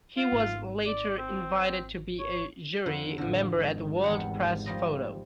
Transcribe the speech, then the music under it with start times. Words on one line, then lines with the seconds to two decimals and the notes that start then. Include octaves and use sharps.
He was later invited to be a jury member at World Press Photo.
0.17 F4
0.32 G#1
0.86 D5
1.18 C4
2.19 C#5
2.86 F2 D3
3.18 A1 D3 F3
3.57 G#1
4.04 E2 G3 F#5
4.66 F3 G3 D#5